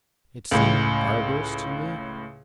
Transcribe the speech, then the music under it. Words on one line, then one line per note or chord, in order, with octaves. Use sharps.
It seemed barbarous to me.
C#2 A2